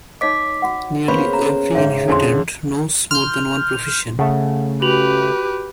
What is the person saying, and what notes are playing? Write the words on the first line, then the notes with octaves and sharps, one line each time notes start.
Nearly every inhabitant knows more than one profession.
D#4 C#5 D#5 D6 B6
F#4 F#5
C#3 A#3 B3 G4 C5 B5
A#5
G#2 C#3 G#3 G4 C#5 E5
F2 D3 F3 E4 G#4 G#5 C6 C#6
C6 F6 G6
C#3 A3 F#5
F#4 G4 B4 F7 F#7